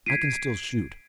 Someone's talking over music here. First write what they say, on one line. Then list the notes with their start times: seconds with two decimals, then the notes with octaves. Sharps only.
I can still shoot.
0.06 G#6 B6 C7 D7 D#7